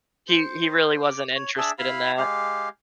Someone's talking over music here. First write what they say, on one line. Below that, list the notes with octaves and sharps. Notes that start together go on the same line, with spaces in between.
he he really wasn't interested in that.
C5
D6
C#5
D4 G#4 E5 A5
E4 F5 B5
G#3 G4 F5